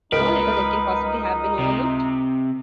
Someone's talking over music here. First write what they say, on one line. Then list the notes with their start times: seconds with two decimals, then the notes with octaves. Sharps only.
No letter that can possibly have been overlooked?
0.12 C#2 D#4 A#4 B4 D7
1.59 C3